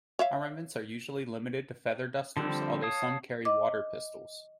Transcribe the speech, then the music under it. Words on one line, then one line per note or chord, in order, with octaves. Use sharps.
'Armaments' are usually limited to feather dusters, although some carry water pistols.
C#5 E5 F5
D3 F3 G3 C4
C#5 F5 A5 D#6
D#5 D6